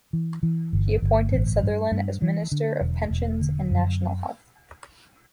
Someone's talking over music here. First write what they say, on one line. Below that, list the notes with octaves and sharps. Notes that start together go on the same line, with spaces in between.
He appointed Sutherland as Minister of Pensions and National Health.
E3
E3
G1
G1
A1
G2
G2
E3
D3
E1
E1
D3
F#2